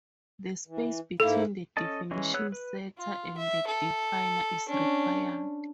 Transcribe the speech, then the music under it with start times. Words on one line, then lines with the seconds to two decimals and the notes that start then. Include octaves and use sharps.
The space between the definition setter and the definer is required.
0.67 E3
1.20 G#2 A#3 E4 A4
1.77 C#4 A4 D#5 A5
2.11 E3 G#3 C#4
2.34 B3 G#4 C#5 E6 F#6
2.52 B4
2.98 F4
3.37 E5
3.67 A4
4.68 C#4 D4